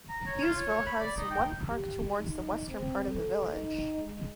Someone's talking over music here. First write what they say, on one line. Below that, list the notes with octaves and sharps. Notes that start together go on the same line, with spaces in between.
Hughesville has one park towards the western part of the village.
A#5
C#5
F4
C#5
C#5
B5
D5
D#4
G5
G4
D#4
C4
A4
D#4
G#3